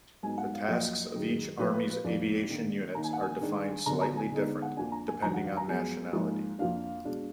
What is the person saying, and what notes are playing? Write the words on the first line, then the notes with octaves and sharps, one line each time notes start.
The tasks of each army's aviation units are defined slightly different, depending on nationality.
G#2 F#3 B3 D#4 G#5
F#5
F5
F#2 F3 A#3 D#5
F#2 D#3 G#3
A#2 F3 A#3 B4
B4
B4
F2 D#3 A#3 D5
D#3 A#3 D4
D#3 A#3 D#4 A#5
G#5
F#5
G#5
D#3 G#3 D4
D3 F#3 B3 D4 A#5
A#5
G#5
D3 G#3 B3 D#4
F#5
F2 F3 A#3 D4 G#5
A#5
G#5
F2 D#3 F#3 D4 A#5
F#5
F5
A#5
F#2 F3 G#3 B3 G#5
G#2 F3 A#3 D#4
F2 F3 A#3 D4 F5
B2 G#3 D4